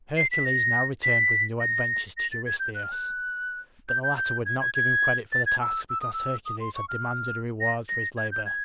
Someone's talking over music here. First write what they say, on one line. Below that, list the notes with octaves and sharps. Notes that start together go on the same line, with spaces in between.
Hercules now returned with new adventures to Eurystheus; but the latter would not give him credit for the task because Hercules had demanded a reward for his labor.
C7
B6
A#6
B6
A#6
A#6
A6
G#6
G6
F#6
F6
F#6
G6
G6
G6
G#6
G#6
G#6
A6
G#6
E6
E6
D#6
E6
D#6
C6
C#6
F6
A#6
A#6
G#6
G6
G#6